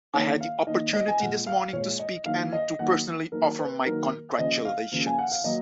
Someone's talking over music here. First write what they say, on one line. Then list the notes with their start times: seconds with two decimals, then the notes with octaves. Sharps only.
I had the opportunity this morning to speak and to personally offer my congratulations.
0.14 D#3 A#3 C#5
0.40 F5
0.67 D#3 A#3 D#5
0.93 D#5
1.08 G#5
1.20 A#2 G#3 F#5
1.47 F5
1.73 A#2 G#3 C#5
1.99 D#5
2.26 D#3 F#3 A#3 F5
2.52 D#5
2.79 D#3 F#3 A#3 F#5
3.32 D#3 F#3 A#3 A#4
3.59 B4
3.85 D#3 F#3 A#3 A#4
4.38 C#3 F3 A#3 D#5
4.65 F5
4.92 C#3 F3 A#3
5.06 G#5
5.19 F#5
5.32 F5
5.44 F#3 A#3 D#5